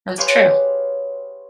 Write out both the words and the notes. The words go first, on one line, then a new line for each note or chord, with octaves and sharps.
That's true.
G4 G#4 B4 C#5 F5 C6